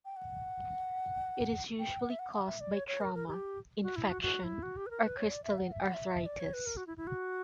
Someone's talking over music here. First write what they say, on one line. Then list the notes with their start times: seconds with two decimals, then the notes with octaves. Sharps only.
It is usually caused by trauma, infection, or crystalline arthritis.
0.05 G5
0.16 F#5
1.79 G5
2.00 F#5
2.10 E5
2.19 F#5
2.33 F#5
2.46 E5
2.61 D5
2.73 C#5
2.88 C#5
3.01 A#4
3.15 A#4
3.28 G4
3.83 F#4
3.96 E4
4.10 F#4
4.22 F#4
4.44 E4
4.63 F#4
4.77 G4
4.86 B4
4.91 A#4
5.04 B4
5.17 C#5
5.31 D5
5.44 E5
5.58 F#5
5.72 E5
5.83 F#5
5.94 E5
6.26 D5
6.40 C#5
6.53 B4
6.66 A#4
6.77 F#4
6.87 E4
6.97 E4
7.07 F#4